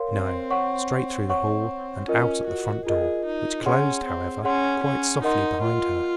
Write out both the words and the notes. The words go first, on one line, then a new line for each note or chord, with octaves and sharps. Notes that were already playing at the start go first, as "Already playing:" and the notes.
No; straight through the hall, and out at the front door, which closed, however, quite softly behind her.
Already playing: A#4 C#5 F5 C6
C4
C#5 F#5 C#6
C4 C#5 F#5 C#6
C#4 F4 A#4 D#5
F#4
F4 G#4 A#4 D#5
D#4
C#4 G#4 C#5 F#5 C6
C4
C#4 G#4 C#5 F#5 C6
C#4
D#4 A#4 D#5 F#5 C6
F4